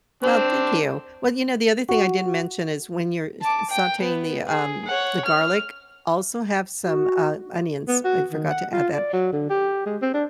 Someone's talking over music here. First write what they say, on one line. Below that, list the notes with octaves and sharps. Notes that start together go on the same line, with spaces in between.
Well, thank you. Well, you know, the other thing I didn't mention is when you're s sauteing the, um, the garlic, also have some, uh, onions. I forgot to add that.
C4 D4 C5
F#4
A5 D6
G5
B3
G#4
C#5 F#5
F6
F#4
B3
F#4
D#3
F#5
F4
D5
F#3
D3
G4
G#3
C4
D4